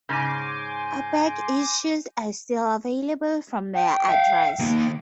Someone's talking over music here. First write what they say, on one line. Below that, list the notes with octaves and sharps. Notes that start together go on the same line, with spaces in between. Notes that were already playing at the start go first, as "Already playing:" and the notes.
Back issues are still available from their address.
G#2 C#3 G#5 C6 D6 G6 A#6 D#7
G5
E5 F5
D#3 A#3